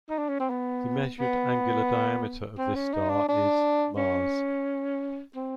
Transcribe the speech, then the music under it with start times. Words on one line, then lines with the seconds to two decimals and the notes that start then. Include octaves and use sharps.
The measured angular diameter of this star is mas.
0.09 D#4
0.18 D4
0.29 C#4
0.40 C4
0.50 B3
1.19 B3
2.58 C4
2.75 C#4
2.93 D#4
3.10 D4
3.28 D4
3.97 C#4
5.35 C4